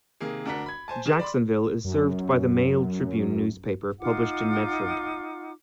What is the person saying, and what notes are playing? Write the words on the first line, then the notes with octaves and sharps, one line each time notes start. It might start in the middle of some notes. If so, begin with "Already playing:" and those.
Jacksonville is served by the "Mail Tribune" newspaper, published in Medford.
C3 D#3 A#3 G#4
D2 D4 A#4 F#5 B6
B5 G#6
C5 G#5 A5
D#3 G#4 E7
D5 B5 C6
F#2 F#3
D#4 F4 F#5 D6